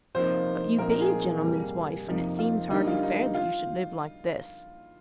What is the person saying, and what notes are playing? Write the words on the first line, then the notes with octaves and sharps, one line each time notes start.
"But you BE a gentleman's wife; and it seems hardly fair that you should live like this!"
C3 F3 A#3 D#4 C5
A#2 F3 C4 D#4 A#4
A#4
G#4
F2 C3 G3 A#3
F2 C3 F3 A#3 D#4
F4
D3 G3 A#3 D4 D#4
F4
D#4
F4